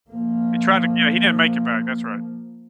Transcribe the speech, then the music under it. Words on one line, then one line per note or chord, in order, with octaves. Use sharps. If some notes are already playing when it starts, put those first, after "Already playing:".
He tried to, yeah. He didn't make it back, that's right.
F3 A#3